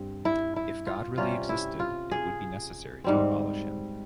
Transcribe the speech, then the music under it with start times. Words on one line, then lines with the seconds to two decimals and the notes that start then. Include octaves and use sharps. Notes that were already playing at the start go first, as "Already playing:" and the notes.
If God really existed, it would be necessary to abolish him.
Already playing: G2 C4
0.25 E4
0.56 E4
0.87 F4
1.18 C3 G3 C#4 F4
1.49 E4
1.80 F4
2.11 G#4
3.04 G#2 G3 C4